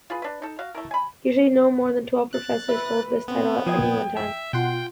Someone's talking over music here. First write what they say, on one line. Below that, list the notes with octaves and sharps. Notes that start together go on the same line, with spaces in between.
Usually no more than twelve professors hold this title at any one time.
F4 G#4 B4
D4 B4
D#4 A4
F#4 F5
A3 E4 A#4
G#5 B5
F#6 A6
B4 E5
B3 C4
F3 G5 D#6 G#6
E5
B2 F4 F#5 G5 C6